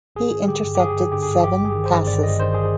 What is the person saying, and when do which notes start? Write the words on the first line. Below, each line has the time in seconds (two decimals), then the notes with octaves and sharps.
He intercepted seven passes.
0.16 G#1 G#4
0.32 G#1
0.48 D3 G4
0.63 G2
0.75 G4
0.79 G#1 G#4
0.96 G#1
1.12 D3 G4
1.23 G2 G#4
1.43 G1 G4
1.59 G1
1.65 G#4
1.75 D#3
1.86 C5
1.92 G2
2.07 G1 D5
2.23 G1 D#5
2.39 D#3 C5
2.54 G#4